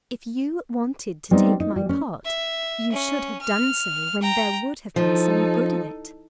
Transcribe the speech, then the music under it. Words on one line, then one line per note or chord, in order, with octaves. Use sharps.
"If you wanted to take my part, you should have done so when there would have been some good in it."
G3 B3 C4 D#4
D#4
G3
C#4
E5
C#4
F6
G5 A#5
F3 D#4 A4